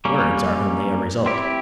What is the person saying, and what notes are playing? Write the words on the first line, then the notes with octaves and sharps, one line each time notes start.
Words are only a result.
G3 A#3 C#4
C4 E4 G4